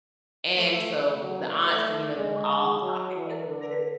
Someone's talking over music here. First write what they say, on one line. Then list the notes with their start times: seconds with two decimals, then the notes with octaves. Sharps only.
and so the aunts and, you know, they were all talking, it was very
0.57 A3
0.89 A3
1.21 F#3
1.54 A3
2.18 G#3
2.82 F#3
3.15 E3
3.47 D3